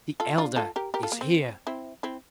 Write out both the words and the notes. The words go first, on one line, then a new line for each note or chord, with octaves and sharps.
"The elder is here."
F4 A4
D4 F4
F4 A4
G4 A#4
G4 A#4
F4 A4
A#3
C4
C4 E4
C4 E4